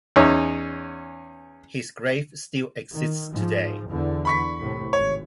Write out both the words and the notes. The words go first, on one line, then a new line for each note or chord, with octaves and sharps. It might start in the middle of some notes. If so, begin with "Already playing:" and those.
His grave still exists today.
E2 C#4 D#4
D#3
G#2 F3
E2 D3
B5 C#6 B6
C2 A2 C3
G#1 C#5